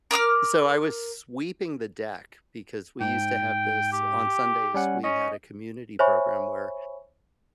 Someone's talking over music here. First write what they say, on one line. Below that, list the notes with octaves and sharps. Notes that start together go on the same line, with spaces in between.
So I was sweeping the deck because we used to have this on Sundays, we had a community program where
A#4 D6 D#6 F6
G#2 G5
G4
G3 C#4 F#5
C#4 D#5
C5 C#5 E5 G#5 B5 C#6